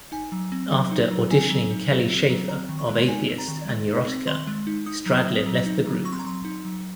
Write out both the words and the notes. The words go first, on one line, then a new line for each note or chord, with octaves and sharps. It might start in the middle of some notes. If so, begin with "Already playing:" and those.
After auditioning Kelly Shaefer of Atheist and Neurotica, Stradlin left the group.
D#4 G#5
F#3
C4
F#3
D#4
F#3
C4 G#5
F#3
D#4
F#3
C4
F#3
C4 A#5
D#3
C#6
G#3
D#4 G#5
C4
A#5
D#3
G#3
D#4
C4
D#3 C6
G#3
D#4
D#4 D#6
F#3
D#6
C4
F#3
D#4
F#3
C4 C#6
C6
A#5
F#3 C6
D#4
F#3